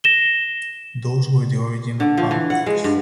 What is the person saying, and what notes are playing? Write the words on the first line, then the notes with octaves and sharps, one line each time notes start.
Those were the origin of vampires.
A#6 E7 G7
D3
F3
E3
F#5
G#3
G2